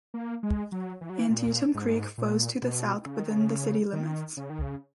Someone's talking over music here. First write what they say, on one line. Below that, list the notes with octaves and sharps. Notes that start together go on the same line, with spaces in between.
Antietam Creek flows to the south within the city limits.
A#3
G#3
F#3
E3
F#3
E3
A#2
G#2
A#2
B2
C#3
D#3
C#3
D#3
C#3
D#3
C#3